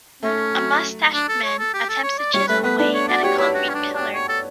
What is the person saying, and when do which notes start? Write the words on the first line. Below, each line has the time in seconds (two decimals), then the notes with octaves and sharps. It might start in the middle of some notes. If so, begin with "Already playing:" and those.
A mustached man attempts to chisel away at a concrete pillar.
0.23 A3 C#4
0.53 F#3
1.13 D4
1.28 A4
1.43 C#5
1.59 A4
1.74 G4
1.89 A4
2.03 C#5
2.18 D5
2.34 G3 C#5
2.48 A3 B4
2.64 B3 B4
2.78 D4 B4
2.94 C#5
3.08 F#4 D5
3.23 G4 C#5
3.38 E4 C#5
3.54 F#4
3.69 C#4
3.74 D4
3.94 D4
4.14 C#5
4.29 A4